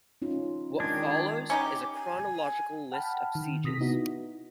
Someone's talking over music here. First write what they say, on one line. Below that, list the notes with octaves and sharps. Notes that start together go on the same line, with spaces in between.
What follows is a chronological list of sieges.
C#4 D#4 F4
D#3 G#3 D4 G#6
C#4 D#4 G4 D6
G#5
F#5 G5 A5 B5 F6
D#3
C3 D#6 A#6 B6
B3 D#4 E4 F#4